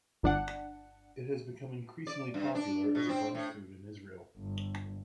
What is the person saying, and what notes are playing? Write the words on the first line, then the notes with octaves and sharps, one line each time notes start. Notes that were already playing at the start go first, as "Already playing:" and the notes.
It has become increasingly popular as a brunch food in Israel.
G1 D4 F#5
D5
G2
D4
B2
C4
A2
G1